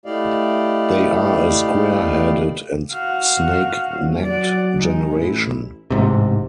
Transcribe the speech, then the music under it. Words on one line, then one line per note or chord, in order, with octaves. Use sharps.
They are a square-headed and snake-necked generation.
A3 E4 G4 D5 D#5 F5
F#4 F5
D#1
F#3 D5 F#5
G#3 D#4
A1 E4
A1 G#2 C3